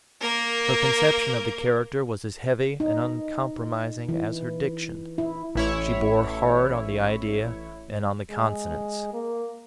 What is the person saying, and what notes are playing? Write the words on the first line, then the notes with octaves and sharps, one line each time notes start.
Her conception of the character was as heavy and uncompromising as her diction; she bore hard on the idea and on the consonants.
A#3 A#4
D#4
E3
E4
A1 E4 C#5
G#3
A#3